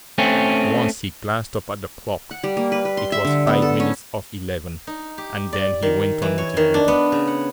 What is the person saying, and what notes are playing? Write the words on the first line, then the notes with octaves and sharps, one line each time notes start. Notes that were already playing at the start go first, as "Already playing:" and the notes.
Once he glanced up at the clock--it was five minutes of eleven--and then he went on with his reading.
A3 C4 C#4
F#5
G3
A#3
B4
B4
C6
E5
D3
B3
A4
C#4
D#4
G4
D5
D#3
E3
C#5
D#3
D4
B3
C#3
F#5